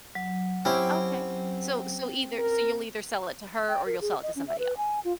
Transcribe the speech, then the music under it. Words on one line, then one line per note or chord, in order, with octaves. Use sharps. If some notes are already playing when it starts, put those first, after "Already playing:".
Okay. So so either so you'll either sell it to her or you'll sell it to somebody else.
F#3
C4 C#4 E4 G4
A#4
G5
A#4
G#4
D#5
C#4
E5
B4
G#5
F4